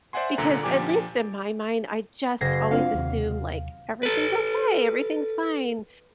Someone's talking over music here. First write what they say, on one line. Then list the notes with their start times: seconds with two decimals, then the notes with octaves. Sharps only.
because- at least in my mind- I just always assume, like, "Everything's okay, everything's fine,"
0.13 C5 D5 E5 F#5 G#5 C6
0.38 C2 A#2 D3 A#5
0.63 A#2 F3 D4 G4 G#5 D6
2.41 F#1 G#6 A#6 C7
2.71 C4 D4 F4 F5
2.94 D#2 C3
4.03 A4 B4